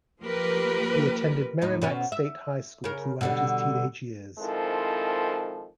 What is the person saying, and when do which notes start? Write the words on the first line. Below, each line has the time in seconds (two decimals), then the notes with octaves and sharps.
He attended Merrimac State High School throughout his teenage years.
0.21 F3 A#3 G4 A#4 B4
1.61 D#2 A2 D#4
1.82 B2 B3 C#4
2.12 E5
2.84 C#3 A#4
3.21 B2 D3 G3
4.39 D#3 F3 G#3 C4 E4 A4